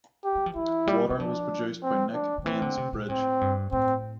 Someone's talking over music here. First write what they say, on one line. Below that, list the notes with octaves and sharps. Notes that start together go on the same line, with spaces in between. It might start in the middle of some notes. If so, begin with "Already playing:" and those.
"Water" was produced by Nick Mainsbridge.
G4
G3
F3
E3 E4
G3
G3
F3 D4
C4
D4
D3
E3 C4
D3
C3
A#2
A2 C4
G2
A2 C4